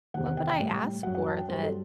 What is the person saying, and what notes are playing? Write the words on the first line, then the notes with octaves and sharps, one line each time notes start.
what would I ask for that
E2 C3 D#3 F#5
F#5
G5
G5
A2 G3
F#2 F#3 F#5
F#5
A5
G5
G2 F#3 C5
A4